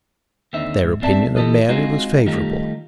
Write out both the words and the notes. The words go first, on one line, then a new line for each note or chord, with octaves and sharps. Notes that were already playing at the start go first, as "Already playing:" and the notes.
Their opinion of Mary was favourable.
D#2 D3 C4 D#4 E5
G#2
B3 C4 D5 E5 A5
E3 E4 G4 A4 D#5
G#3 C4 D#4 F4 F#4 G#4
D#3 G3 A3 D#4 F4 G4